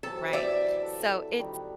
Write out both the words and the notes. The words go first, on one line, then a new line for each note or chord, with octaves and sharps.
Right. So it's
C3 E3 F#3 A4
D5 E5 G#5
A4 F#5
D#3 G3 F#4